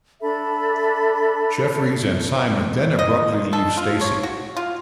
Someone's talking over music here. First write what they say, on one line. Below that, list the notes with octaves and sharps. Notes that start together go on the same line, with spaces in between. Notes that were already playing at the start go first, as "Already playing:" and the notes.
Jeffries and Simon then abruptly leave Stacey.
D4 A4 E5 B5
D#5
A4
F4
C#5
F#4
F4